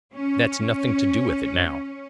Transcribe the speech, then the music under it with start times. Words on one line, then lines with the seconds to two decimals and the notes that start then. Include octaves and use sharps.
That's nothing to do with it now!
0.14 C#4